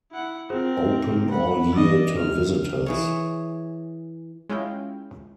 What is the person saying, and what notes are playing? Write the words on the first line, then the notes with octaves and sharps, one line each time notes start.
Open all year to visitors.
E4 F#5
C4 F4 G#4 A#4 C5
F#5 B5
E3 B3 D#4 D5 D#5
D#3 F3 F6
E3 G#4 C#5
G#3 C#4 E4 F4 F5 G5